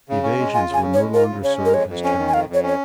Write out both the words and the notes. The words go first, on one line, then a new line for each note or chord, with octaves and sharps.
Evasions would no longer serve his turn.
C#3
C#4
G#3
F4 G#5
C#3 G#5
C#4
C#5
G#3
F4 A#4
C#3
C#4 C#5
G#3
A#4
F2 C#5
F2
C#4 G#5
D#3
G#5
F2 F5
F2 C#5
C#4 C#5